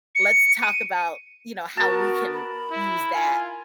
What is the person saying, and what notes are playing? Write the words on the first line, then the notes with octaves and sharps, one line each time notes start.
"let's talk about," you know, "how we can use that,"
C#7
D#7
B3 F#4 A#4 A5
B5
E4
F4 G#5